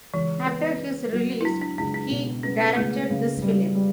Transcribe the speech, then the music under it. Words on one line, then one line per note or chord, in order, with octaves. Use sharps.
After his release he directed this film.
C#2 E3
B3
B3
F#3
E4
F#3 D4
D4
C#2 D4
D4
B2
B3 C#4
C#2 A3
C#3
G3
G3